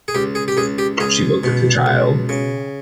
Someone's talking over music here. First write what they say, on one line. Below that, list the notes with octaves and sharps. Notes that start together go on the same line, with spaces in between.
She looked at the child.
G#4
C#2 G4
G#4
G4
C#2 G#4
G4
C#2 G#4
B2
C#2
C#3